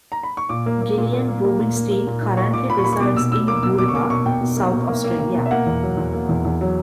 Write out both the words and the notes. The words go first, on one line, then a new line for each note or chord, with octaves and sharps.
Gillian Rubinstein currently resides in Goolwa, South Australia.
A#5
B5
C#6
A#2 D6
A#3
A#3
A#2
A#2
A#3
A#3
A#2
A#3
A#3
A#2
A#2
A#2 C#6
A#2 D6
A#2 B5
C#6
A#3 B5
C#6
B2 D6
B2 E6
B2 E6
A#3 D6
B2 E6
B2 D6
C#6
A#3 D6
B2 C#6
B2 G5
B2
A#3
B2
A#3
A#3
A#3
B2
E5
A#3 F#5
E2
F#3
E2
A#3
E2
E2
F#3